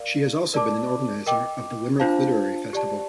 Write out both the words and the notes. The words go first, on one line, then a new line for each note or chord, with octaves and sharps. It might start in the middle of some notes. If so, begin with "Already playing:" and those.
She has also been an organiser of the Limerick Literary Festival.
Already playing: A#4 D5 F5
A#4 D5 A5 D6
A#4 D#5 G5 D6
D4 F4 C5 F5 A5
G4 D5 A5